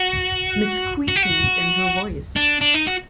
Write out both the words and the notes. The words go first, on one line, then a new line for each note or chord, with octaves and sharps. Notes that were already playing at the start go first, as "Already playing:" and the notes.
Miss Squeaky and her voice.
Already playing: F#4
F#4
G4
F#4
D4
D4
D#4
F#4